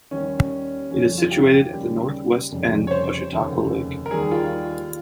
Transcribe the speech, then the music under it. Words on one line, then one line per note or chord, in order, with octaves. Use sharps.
It is situated at the northwest end of Chautauqua Lake.
D#2 D#3 G3 C#4
F2 C#3 G3 C#4
F4
G4
D#2 C#3 G3
F1 F2 C#3 G3
C#5
C5
F1 D#2 C#3
A#4
D#2 D#3 G3 G#4
F4